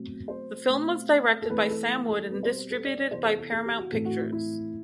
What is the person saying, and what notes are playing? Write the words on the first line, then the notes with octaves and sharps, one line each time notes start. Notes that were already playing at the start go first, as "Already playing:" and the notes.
The film was directed by Sam Wood and distributed by Paramount Pictures.
Already playing: B2 F#3 A3 C4
C5
B2 A3 C4
A4
E3 A3 C4 B4
A4
A4
B2 G3 C4 B4
C5
A4
D5
D5
C3 E3 B3 C5
A4
A4
A4
G4
F#4
A2 E3 A3 C4 A4
F#4
E4
E4